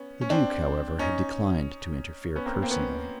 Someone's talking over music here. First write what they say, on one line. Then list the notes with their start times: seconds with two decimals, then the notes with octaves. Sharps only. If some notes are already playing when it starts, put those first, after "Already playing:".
The Duke, however, had declined to interfere personally.
Already playing: B3 C#4
0.21 C#4
0.30 C4 D4
0.99 C#4 D#4
2.36 B3 C#4
2.45 A#3 C4
2.53 B3
2.62 A#3 C4
2.70 B3 C#4